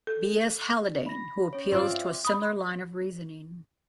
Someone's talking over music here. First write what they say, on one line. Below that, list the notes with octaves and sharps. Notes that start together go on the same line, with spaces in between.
B. S. Haldane who appeals to a similar line of reasoning.
A4
B5 A#6
C#4 C#5
C4 F4 D5
E5
B5 D#6